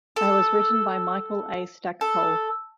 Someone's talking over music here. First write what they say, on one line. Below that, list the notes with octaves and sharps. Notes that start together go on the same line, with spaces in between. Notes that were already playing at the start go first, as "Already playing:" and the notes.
It was written by Michael A. Stackpole.
A4
A4